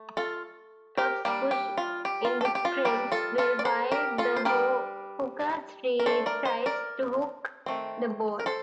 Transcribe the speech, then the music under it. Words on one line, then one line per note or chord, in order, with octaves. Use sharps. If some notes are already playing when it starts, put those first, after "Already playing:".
Props push in the scrums, while the hooker tries to "hook" the ball.
Already playing: A3
F4 A4
G4 A#4
G3 A#3 D4 G4
G4
F4
G4
F4
A4
G4
G4
F4
G3 A#3 D4 G4
F4 A4
F4 A4
D5
A4 C5
G4 A#4
F4 A4
C5
G3 D4 G4 A#4
A#4
A3 D4 A4 C5
A#4 D5
C5 D#5
A#4 D5
D#3 A3 C4
A#4
A4 C5